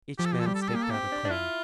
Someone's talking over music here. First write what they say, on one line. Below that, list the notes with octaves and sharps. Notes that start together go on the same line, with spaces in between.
Each man staked out a claim.
F3 G4
A4
G4
A4
G3 G4
A4
G4
A4
A#3 G4
A4
C4 G4
D4
D4
E4 F4